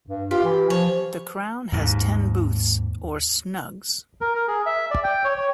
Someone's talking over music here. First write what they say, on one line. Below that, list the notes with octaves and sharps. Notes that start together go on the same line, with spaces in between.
The Crown has ten booths, or snugs.
G2
F4 G4
E3
F3 C#5
D#2 G#2
A#4
A#4
G#4
E5
D5
G5
C#5
C#5